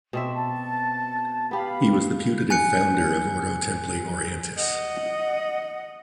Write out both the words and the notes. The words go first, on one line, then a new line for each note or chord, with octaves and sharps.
He was the putative founder of Ordo Templi Orientis.
B2 C4 E5
A5
B3 G4 F5 B5
G#5 F#6 C#7
D#5 F#5